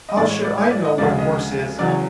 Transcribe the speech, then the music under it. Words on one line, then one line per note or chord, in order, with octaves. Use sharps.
How should I know what a horse is?
D#5
A2 E3 G#3 D5
C#5
D5
C#5
D5
D#5
D2 C#3 F3 G#3 D5
D#5
E2 C#3 F#3 D5
C#5